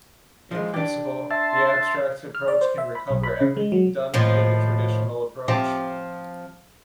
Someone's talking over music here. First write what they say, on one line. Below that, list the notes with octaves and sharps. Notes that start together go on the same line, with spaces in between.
In principle the abstract approach can recover everything done via the traditional approach.
F3 G#3
D4 G4
E5 A5 C6
F6
D5
C5
E5
B5
B1
B5
C#3
G#3
F#3
D#2 A2 F3
F3 C4 G4